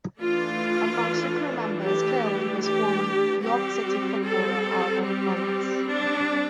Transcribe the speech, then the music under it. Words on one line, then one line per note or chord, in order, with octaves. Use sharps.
Amongst the crew members killed was former York City footballer Albert Bonass.
E3 A3 D4 F4
G4
G4
G3 C4 G4
A4
G4
D4